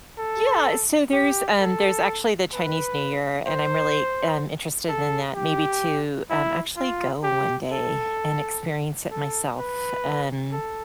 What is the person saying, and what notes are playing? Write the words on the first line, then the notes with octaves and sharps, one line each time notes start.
Yeah. So there's, um, there's actually the Chinese New Year, and I'm really, um, interested in that, maybe to, um, actually go one day and experience it myself. Um,
A4
G4
A4
B4
C5
A4
G4
E4
F4
G4
A4
A4
B4
A4